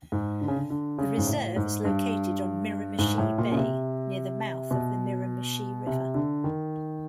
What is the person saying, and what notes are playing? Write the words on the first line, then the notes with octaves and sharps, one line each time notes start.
The reserve is located on Miramichi Bay, near the mouth of the Miramichi River.
G#2
D3
C#3
D3
D3
C#3
G#2
A2
G#2
G2
G#2
A2
A#2
C#3
C3
B2
C3
D3
D#3